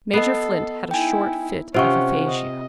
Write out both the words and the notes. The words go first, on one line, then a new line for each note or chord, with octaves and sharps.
Major Flint had a short fit of aphasia.
B3 A4 D#5 C7
D#4 E4 G5 G#5
C3 C#4 F4 C5 F#5 C#6
D#5